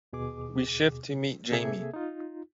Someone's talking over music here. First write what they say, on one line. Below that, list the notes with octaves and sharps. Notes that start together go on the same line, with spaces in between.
We shift to meet Jamie.
D#2 B2 G#4 D6
C3 A#3 G#4 A4 E5 G#6
D#4 F4